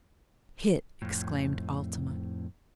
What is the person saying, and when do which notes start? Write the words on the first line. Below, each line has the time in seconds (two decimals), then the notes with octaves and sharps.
"Hit!" exclaimed Altamont.
1.02 F2 A2